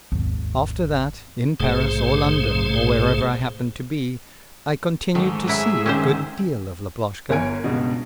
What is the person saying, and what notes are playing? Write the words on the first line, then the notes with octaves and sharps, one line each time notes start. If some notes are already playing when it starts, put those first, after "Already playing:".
After that, in Paris or London or wherever I happened to be, I continued to see a good deal of Laploshka.
G#1 D#2
A#1 G#2 C3 A3 G#4 C5
G#2 D#3 A3
F#3 E4 G#4 E5
D#3 C4 C#4 G4 C5
G1 A#4 C#5 G#5 D7
C#2 G2 B2